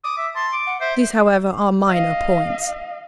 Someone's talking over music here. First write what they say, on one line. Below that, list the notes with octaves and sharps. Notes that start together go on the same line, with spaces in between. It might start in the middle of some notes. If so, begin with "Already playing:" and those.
These, however, are minor points.
D6 D#6
E5
A5 C6
D6
F#5
C5 E5
D#5 F5